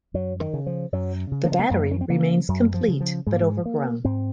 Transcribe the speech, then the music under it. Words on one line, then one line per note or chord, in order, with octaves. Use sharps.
The battery remains complete but overgrown.
F#2 F#3
D#3
C#3
F3
F#2 F#3
C#3
A#3
G#3
A#3
F#2 A#3
C#4
C4
C#3 A#3
F#2 F#3
F3
C#3
F3
G#2 G#3
A#3
G#3
A#3
G#2 C4